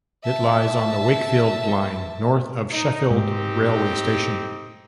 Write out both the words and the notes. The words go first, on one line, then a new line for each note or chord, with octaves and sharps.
It lies on the Wakefield Line north of Sheffield railway station.
E5 A5
D#4
G#2 C4 D#4 G4